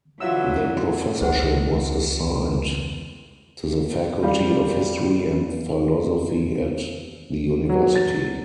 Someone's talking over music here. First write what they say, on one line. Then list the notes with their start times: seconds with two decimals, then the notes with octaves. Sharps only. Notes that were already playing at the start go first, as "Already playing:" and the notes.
The professorship was assigned to the Faculty of History and Philosophy at the university.
0.20 D3 E3 F#3 F4 E5 E6
1.21 C#2 B4 C5 F#5
4.23 G3 F5
7.69 F#3
7.96 A6